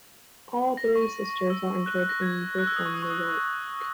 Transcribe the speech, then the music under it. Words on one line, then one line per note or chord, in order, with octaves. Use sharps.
All three sisters are interred in Brooklyn, New York.
A#6
C#6
E6
F#6
F#6
A#6
G#6
F#6
E6
D#6
C#6
D#6
C#6
D#6